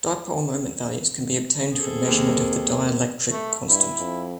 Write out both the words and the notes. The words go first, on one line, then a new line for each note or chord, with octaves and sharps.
Dipole moment values can be obtained from measurement of the dielectric constant.
C4 G#4 A4
D#2 A#4
A3
G2 E4
F2